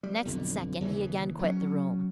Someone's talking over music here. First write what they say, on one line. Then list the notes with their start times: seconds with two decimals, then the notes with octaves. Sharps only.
Next second he again quit the room.
0.03 G3
0.25 B1 F2 D3
0.81 D#2 C#3 E3
1.39 F#3 C#4